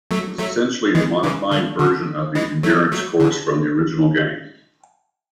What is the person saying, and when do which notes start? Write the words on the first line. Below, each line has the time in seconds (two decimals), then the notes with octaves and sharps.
It was essentially a modified version of the Endurance Course from the original game.
0.11 F#3 A3
0.38 F#3 A3
0.95 E3 G#3
1.23 C#3 E3
1.51 D3
1.79 D3
2.35 E3 G#3
2.63 F#3 A3
2.92 F#3 A3
3.20 D3